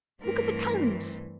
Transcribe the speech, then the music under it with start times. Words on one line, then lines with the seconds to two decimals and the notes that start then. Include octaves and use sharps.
Look at the Cones!
0.22 G2 E3 A3 C4 A#4